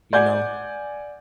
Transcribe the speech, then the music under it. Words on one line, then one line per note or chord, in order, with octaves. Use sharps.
You know?
D5 F#5 G#5 G6 G#6